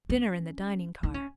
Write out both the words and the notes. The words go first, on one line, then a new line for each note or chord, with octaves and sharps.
Dinner in the dining-car.
C#4
D#4
C#4